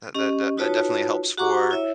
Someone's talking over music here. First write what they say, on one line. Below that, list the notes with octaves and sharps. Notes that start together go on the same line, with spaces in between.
that that that definitely helps for,
C#4 G4 D#5
D#4 F4 F#4 B4 C#5 A5
F#4 G4 F#5 A#5 C#6 D6
E4 C#5 E5